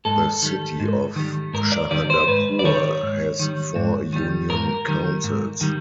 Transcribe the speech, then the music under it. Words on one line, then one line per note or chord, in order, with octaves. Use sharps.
The city of Shahdadpur has four union councils.
G#2 A4
D#3 G3
G#2
D#3 G3
G#2 A#4
D5
D#3 G3 D5
C5
G#2 B4
D5
D#3 G3 C#5
G#2
D#3 G3
G#2
D#3 G3
G#2 A#4
D#3 G3
G#2
D#3 G3